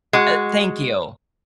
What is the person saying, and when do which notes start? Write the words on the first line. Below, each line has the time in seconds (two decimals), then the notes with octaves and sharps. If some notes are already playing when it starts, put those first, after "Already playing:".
Uh, thank you.
0.13 G#3 F#4